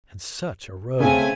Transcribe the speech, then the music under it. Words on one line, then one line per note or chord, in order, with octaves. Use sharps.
And such a road!
C#3 A3 C4 G#5